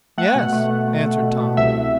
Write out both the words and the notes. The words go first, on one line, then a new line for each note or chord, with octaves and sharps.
"Yes," answered Tom.
A3 F#5
B2
A3
A3
A3
A3
B2
A3
C2 E5